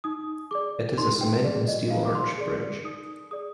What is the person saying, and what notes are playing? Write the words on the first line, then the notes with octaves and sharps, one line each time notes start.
It is a cement and steel arch bridge.
D#4 D#6
G#4 D5 D6
D#4 C6
G5
G#4 D5
D#5
D#4 F5
D6
C6
G#4 D5
D#4 D#6
G#4 D5 D#6